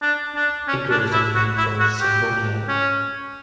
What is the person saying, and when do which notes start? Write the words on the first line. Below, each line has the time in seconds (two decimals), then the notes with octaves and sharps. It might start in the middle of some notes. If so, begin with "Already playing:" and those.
It grows in the rainforests of Borneo.
0.02 D4
0.35 D4
0.68 C#4
0.90 D4
1.12 E4
1.35 F#4
1.57 E4
1.79 F#4
2.01 G4
2.68 C#4